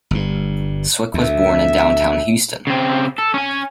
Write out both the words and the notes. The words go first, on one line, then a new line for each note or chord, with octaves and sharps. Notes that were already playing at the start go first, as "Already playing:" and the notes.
Swick was born in downtown Houston.
G1 G2
D2 E5
C#3 C4
A4
C#4 G#5